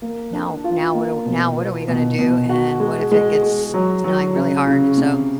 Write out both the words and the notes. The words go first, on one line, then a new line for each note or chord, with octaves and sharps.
now now what do w now what are we gonna do, and what if it gets snowing really hard?" so,
A#3
D4
F4
A#3
B2
B3
B2
B2
F#4
G#3
G#3
G#3
F#3
F#3
C#3
C#3
C3